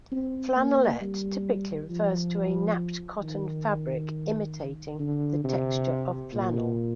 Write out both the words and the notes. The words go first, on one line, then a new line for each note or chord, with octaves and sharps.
Flannelette typically refers to a napped cotton fabric imitating the texture of flannel.
C4
A#3
G3
F3
D#3
D3
C3
A#2